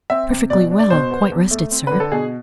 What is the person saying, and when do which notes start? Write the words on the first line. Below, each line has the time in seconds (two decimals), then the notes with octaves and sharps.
"Perfectly well; quite rested, sir."
0.10 C4 E5
0.30 C3
0.50 B2 D5
0.71 D4
0.79 D5
0.90 B2 C5
1.11 B3
1.32 E2
1.51 A3
1.71 C4
1.87 D3 B4
2.00 A4
2.12 B2 G#4